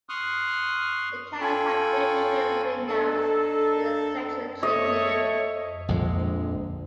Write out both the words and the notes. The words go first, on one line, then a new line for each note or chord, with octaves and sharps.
The cabins have built-in windows and a central chimney.
C6 C#6 D#6 F6 F#6
F4 A4 G5 G#5 B5 C#6
D4 D#4 A4
A3 C#5 D#5
A#1 F2 D3 G#3